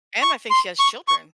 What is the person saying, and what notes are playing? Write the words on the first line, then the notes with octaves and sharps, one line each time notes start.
And I think she has children.
C#6
C6
C#6
C#6